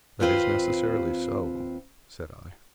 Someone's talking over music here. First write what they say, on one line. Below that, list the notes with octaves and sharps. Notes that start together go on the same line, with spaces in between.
'That is necessarily so,' said I.
D#2 C4 F4 B4 C5